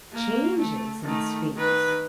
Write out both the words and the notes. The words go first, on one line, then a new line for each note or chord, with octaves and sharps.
changes in space.
A#3
A3
D#3 A3
D#3 B4